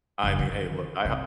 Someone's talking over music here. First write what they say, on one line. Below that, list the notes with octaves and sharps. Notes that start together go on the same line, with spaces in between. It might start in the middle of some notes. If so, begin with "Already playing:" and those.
I mean, hey look, I ho
F#1
D3 D#3
C2 G2